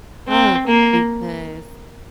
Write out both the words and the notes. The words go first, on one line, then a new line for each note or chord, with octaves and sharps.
tough because
C4
A#3